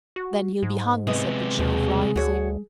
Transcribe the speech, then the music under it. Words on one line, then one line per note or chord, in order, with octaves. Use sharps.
"Then he'll be hung," said the Chief, rising.
F#4
G#2
C3 G#3 B3 D#5
D#2 B2 G#4
D2 F#4 C#5